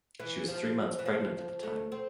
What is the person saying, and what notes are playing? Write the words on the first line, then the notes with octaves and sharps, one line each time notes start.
She was three months pregnant at the time.
E3
F3
E3
F3
A3
C4